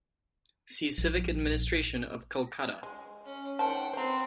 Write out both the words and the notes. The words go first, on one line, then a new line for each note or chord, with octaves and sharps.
See Civic administration of Kolkata.
A#1
G#3
C#4
D#3 C5 F#5 G5 A5
C4 B4 C5 A#5